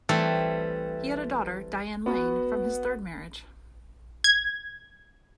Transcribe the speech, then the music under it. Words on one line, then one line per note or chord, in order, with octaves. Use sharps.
He had a daughter, Diane Lane, from his third marriage.
E3 G3 A3 C4 A4
B3 F#4 B4
G#6